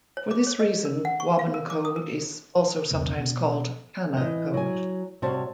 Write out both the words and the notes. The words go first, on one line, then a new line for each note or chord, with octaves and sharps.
For this reason, Wabun code is also sometimes called Kana code.
C#5
D6
C#5
D#5
A#4
F#5
C#6
F5
A#4
D6
D#6
A#4
B1 E2 C#3 B3
B2
E3 D#5
F#3 G#5
C3 G3 F#4 C5 C#5 A5